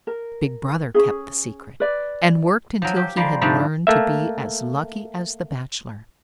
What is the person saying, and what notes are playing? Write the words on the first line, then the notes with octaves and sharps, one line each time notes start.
Big Brother kept the secret, and worked until he had learned to be as lucky as the Bachelor.
A#4
C#4 D#4 G#4
B4 D5
F3 F#3
G4
F3 G3 G#3 A#3
G#2 D3 F3 G3 A3 D4
A3 A#3 E5